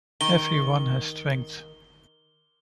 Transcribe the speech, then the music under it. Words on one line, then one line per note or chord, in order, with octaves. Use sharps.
Everyone has strengths.
D#3 G7